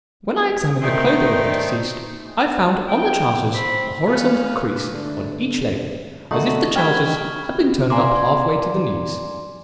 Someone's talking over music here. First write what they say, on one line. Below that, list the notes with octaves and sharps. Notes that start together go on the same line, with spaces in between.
When I examined the clothing of the deceased, I found on the trousers a horizontal crease on each leg as if the trousers had been turned up half-way to the knees.
D#3 A3 C4 D4 D#4
G#3
G5
C4 B5
C#4 B4 F5
D3 A3 D4
D3 A3 D#4 F#4 A4 F#5 C#6 D#6
G4 C5 F#5 G5 B5 F6 G#6 G7
D5 F5 G#5 A#5 C6 D6